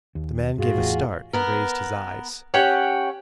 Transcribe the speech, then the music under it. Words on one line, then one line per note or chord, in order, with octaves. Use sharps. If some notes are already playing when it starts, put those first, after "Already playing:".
The man gave a start and raised his eyes.
D#2
G2 F4 F#4 G#4
E2 A2
B3 A#4
C#4 G4 C#5 F#5 G5